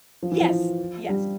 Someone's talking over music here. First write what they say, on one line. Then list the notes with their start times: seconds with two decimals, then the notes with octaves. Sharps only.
Yes. Yes.
0.23 F3
0.32 E3
0.41 F3
1.09 G3